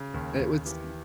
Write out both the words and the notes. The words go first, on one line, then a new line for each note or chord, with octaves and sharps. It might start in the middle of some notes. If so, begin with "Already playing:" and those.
It was
Already playing: C#3
D#2
D#2
E3 G4